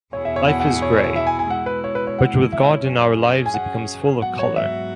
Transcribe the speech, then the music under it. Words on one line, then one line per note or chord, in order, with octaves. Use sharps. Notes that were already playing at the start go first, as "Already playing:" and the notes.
Life is grey but with God in our lives it becomes full of colour.
E2 B2 B3 E4 G#4 C#5
E5
C#5
F#5
F#5
F#5
C#5
C#5
C#5
E5
G#5
G#5
B2 G#3 E4 F#5
B4
C#5
B4
C#5
F#5
E5
C#5
F#2 F#3 C#4 G#4
G#5
F#5
G#2 F#3 B3 F#4 F#5
C#5
E5